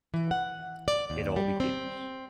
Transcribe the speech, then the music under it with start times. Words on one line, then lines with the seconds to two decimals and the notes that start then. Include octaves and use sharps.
It all begins.
0.14 E3
0.31 F#5
0.88 D5
1.10 D#2
1.36 G3
1.60 C4